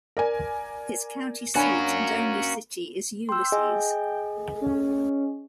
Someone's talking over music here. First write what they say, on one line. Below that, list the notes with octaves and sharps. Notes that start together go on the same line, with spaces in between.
Its county seat and only city is Ulysses.
A#4 D5 G#5
A#3 C#4 D4 F#4 C#5 G#5 B5
G5 C6 E6
G#4 D#5 G#5
C#4